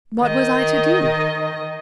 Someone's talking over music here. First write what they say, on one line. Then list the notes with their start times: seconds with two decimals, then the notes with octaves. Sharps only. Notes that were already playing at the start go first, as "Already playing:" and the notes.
What was I to do?
0.19 D#3 D#5